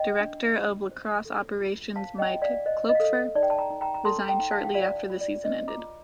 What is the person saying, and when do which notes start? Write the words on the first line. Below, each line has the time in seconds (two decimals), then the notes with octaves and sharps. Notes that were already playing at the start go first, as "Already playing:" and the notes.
Director of Lacrosse Operations Mike Kloepfer resigned shortly after the season ended.
Already playing: D#5 G5
0.21 D4
0.56 F4
0.91 C5
1.25 A4
1.60 F4
1.96 C5 F5 A5
2.18 D#5 G5
2.30 F4
2.42 D5 F5
2.66 C5 D#5
2.89 D#5
2.95 F5
3.00 A4 D#5
3.35 D#4 D5
3.43 G5
3.50 A5
3.58 G5 A#5
3.70 D#4
3.81 G5 A#5
3.94 A#5
4.05 A4 A5 C6
4.28 G5 A#5
4.39 D#4
4.51 F5 A5
4.64 G5
4.74 F4 D5 F5
5.10 F4
5.21 D5
5.44 C5 D#5
5.68 A#5 D6
5.79 F4